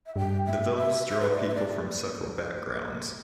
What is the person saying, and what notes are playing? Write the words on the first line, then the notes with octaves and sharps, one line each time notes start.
The villas draw people from several backgrounds.
E5
G2 G5
E5
E5
E5
B4
D5
E5
D5